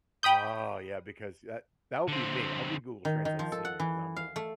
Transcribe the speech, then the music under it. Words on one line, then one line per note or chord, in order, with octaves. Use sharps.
Oh, yeah, because that that would be me, I'll be Google Translate senior, 'cause I'm old,
G5 B5 D#6 G6
D3 C4
D#3
D#3
F3
A4
F#5
E3
F5
A3